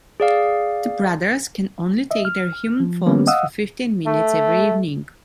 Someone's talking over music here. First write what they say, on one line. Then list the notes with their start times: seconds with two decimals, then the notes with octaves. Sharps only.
The brothers can only take their human forms for fifteen minutes every evening.
0.20 G#4 D5 F5
2.11 D#5 E5
2.25 F6
2.80 F3
3.06 D3 G3 A#3 B3 C#4
3.27 D#5 F5 F#5 D#6 E6
4.06 A3